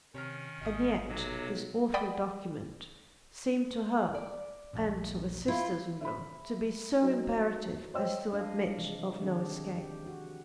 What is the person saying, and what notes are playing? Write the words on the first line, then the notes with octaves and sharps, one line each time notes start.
And yet this awful document seemed to her and to her sisters-in-law to be so imperative as to admit of no escape.
C3 D#3 C#4 C#5 A#5 F6
G#1 D#5 G#5 D#6
B1 C3 F#3
D5 F#5 G5 B5 D#6
D5
A#1 D#2 A#2
E4 F4
E5 B5
F#3 D#4
C5 C#5 D#5 G5 E6
D4 D#5 F5
C3 E3 F3 G#3
D#3 C4 D4 G4 G#4
G4
F#4